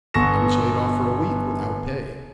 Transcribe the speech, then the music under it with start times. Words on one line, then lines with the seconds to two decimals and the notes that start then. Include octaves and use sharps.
I was laid off for a week, without pay.
0.14 G1 B3 C#6 A#6 E7